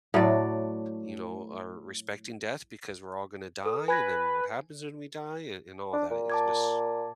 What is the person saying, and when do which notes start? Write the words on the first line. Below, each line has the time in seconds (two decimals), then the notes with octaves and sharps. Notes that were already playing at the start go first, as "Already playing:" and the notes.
you know, are respecting death because we're all gonna die, and then what happens when we die, and and all that, it's just
0.14 A2 F#3 A3 D5
3.65 A4 D#6
3.88 B4 G#5 G#6 A#6
5.93 D4
6.11 A#2
6.30 A5 D6 G#6